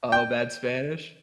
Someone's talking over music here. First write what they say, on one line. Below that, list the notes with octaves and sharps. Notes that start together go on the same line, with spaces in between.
Oh, bad Spanish?
G5